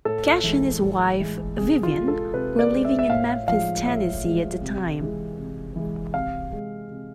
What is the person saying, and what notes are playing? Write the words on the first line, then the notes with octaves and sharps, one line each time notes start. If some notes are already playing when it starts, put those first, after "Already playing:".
Cash and his wife, Vivian, were living in Memphis, Tennessee, at the time.
A2 A4
E3 G#3
A2
E3 G#3
C3 G#4
F4
G#3
A4
C3 B4
D5
G#3
E5
E5
A2 F5
F3 G#3 F5
A2 E5
F3 G#3
C3
E3 G#3
C3
E3 G#3
C3 F5
G#3
C3